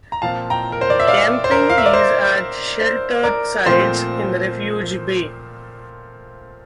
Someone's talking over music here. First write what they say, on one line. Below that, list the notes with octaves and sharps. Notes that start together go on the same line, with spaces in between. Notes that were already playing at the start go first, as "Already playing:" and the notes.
Camping is at sheltered sites in Refuge Bay.
A#5
A#2 F3 C4 F5 A5
G5 A#5
A#4
C5
D5
E5
D5 F5
C5
A#4
F5
E5
D5
C5
C5
A#4 D5
A#2 F3 A3 C4 C5